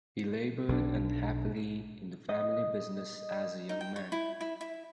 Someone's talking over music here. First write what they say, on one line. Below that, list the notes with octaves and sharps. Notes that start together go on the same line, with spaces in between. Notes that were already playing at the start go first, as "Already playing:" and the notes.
He labored unhappily in the family business as a young man.
B1 F3 D4
D#5
D#4
G5
C#5
E4
E4
E4